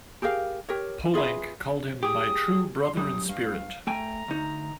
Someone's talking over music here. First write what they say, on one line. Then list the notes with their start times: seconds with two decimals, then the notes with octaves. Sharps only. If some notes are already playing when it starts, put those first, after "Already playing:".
Poulenc called him "my true brother in spirit".
0.22 G4 G#4 A#4 F5
0.69 G4 A#4 C#5
1.14 F4 G#4 B4 E5
2.03 G4 G#4 D#6
2.82 C6
2.97 F#2 G3 D#6
3.29 G2 F5
3.87 A3 G5 G#5 A#5
4.28 D2 D#4